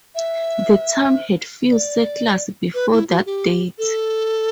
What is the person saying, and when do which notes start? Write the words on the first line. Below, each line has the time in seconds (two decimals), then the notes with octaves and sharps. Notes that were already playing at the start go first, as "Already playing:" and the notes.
The town had few settlers before that date.
0.15 E5
1.71 D5
2.74 B4
2.92 E4
3.09 F#4
3.26 G4
3.78 A4